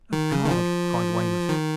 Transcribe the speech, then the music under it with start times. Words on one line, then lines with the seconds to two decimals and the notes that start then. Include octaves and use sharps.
"Oh, God!" cried Weymouth.
0.12 D#3
0.32 C#3
0.44 D#3
0.51 F3
1.49 D#3